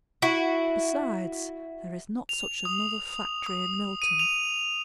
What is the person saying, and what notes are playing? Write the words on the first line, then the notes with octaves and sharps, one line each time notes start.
Besides, there is not such another factory in Milton.
E4 F#4
F7
D#6
D#6
D#7
F7